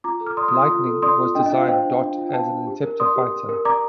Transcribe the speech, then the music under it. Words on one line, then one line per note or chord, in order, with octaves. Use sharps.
Lightning, was designed.. dot as an intercepter fighter.
F4 A#5 D6
A4
D6 F6
D5 C6 D#6
C6 D#6
F4
C6 D#6
F4
A4
D5 C6 D#6
F4
D4 D#5 G5
D#5
F4
F5
C5 D#5 G5
D4
D4
F4
G5
C5 F5 A5
D4
G4
A#4
D5 C6 D#6
G4
G4
A#4
D5 A#5 D6